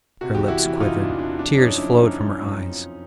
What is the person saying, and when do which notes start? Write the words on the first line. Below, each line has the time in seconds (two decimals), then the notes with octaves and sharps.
Her lips quivered, tears flowed from her eyes.
0.21 C3 F#4
0.34 E2 G4
0.48 E2 E4 F#4
0.65 E3
0.80 C3 D#4 F4
0.95 E3
1.00 D4
1.09 E2
1.19 C3 D4
1.39 F3 D4
1.53 F#2 C#4 D#4
1.68 F3
1.78 D4 E4
1.83 F#2
1.97 F#2 C#4 D#4
2.12 F#2
2.27 F#2
2.41 F#2
2.56 F2
2.70 F3